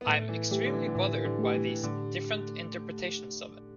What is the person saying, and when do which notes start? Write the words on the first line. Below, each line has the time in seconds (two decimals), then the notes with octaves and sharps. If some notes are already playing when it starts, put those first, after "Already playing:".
I'm extremely bothered by these different interpretations of it.
0.01 B3
0.07 A2 A3
0.29 E3
0.51 E3 A3 G4
0.66 D3
0.73 E3
0.88 D3
0.95 A2 E3
1.25 D3
1.39 A3 G4
1.54 E3
1.83 A2 D3